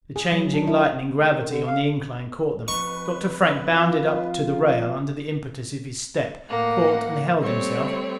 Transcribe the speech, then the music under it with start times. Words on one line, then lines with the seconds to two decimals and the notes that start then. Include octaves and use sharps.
The changing, lightening gravity on the incline caught them. Dr. Frank bounded up to the rail under the impetus of his step; caught and held himself.
0.16 G#4
0.32 F#3
0.54 D4
0.67 E4
1.19 A3
1.35 D#3
1.47 D3
1.67 F5
2.68 F2 D#4 B4 C#6
3.71 F4
6.48 A2 A#3 F#5
7.38 G3 A3 C4 C#5